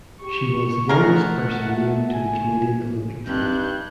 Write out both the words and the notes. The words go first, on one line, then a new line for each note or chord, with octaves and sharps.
She was the youngest person named to the Canadian Olympic team.
G4 C#6
G#3 A3 A#4 F#5
G#5
G2 C4 D#4 F#6 G6